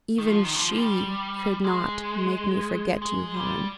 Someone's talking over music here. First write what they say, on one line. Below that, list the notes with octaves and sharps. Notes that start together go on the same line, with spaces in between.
Even SHE could not make me forget you, Helen.
D#3
F3
D#3
G3
F3
F3
G3
G#3
G#3
G3